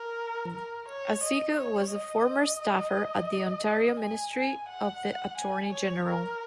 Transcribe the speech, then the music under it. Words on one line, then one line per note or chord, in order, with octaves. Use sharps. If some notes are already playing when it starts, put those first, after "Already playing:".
Aziga was a former staffer at the Ontario Ministry of the Attorney General.
Already playing: A#4
A#4
C#5
D#5
C#5
D#5
G#5
G#5
F#5
G#5
C#5
A#4